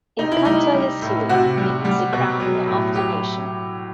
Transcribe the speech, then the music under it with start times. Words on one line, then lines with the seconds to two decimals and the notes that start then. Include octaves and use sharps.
"Inkatha YeSizwe" means "the crown of the nation".
0.19 C3 D#4
0.32 E4
0.45 G3 D#4
0.75 G3
1.02 A2
1.29 C3 F#4
1.57 G3
1.85 G3
2.13 B2
2.40 F#3
2.67 A2
2.95 F#3 G4